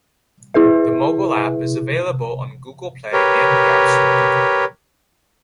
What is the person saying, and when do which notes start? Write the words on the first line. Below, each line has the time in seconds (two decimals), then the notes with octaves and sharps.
The mobile app is available on Google Play and the App Store.
0.54 E4 G#4 B4 E5
3.13 G4 A#4 B4 C#5